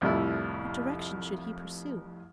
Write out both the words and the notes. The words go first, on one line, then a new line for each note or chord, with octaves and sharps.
What direction should he pursue?
C2 F2 A2 C3 G3 E4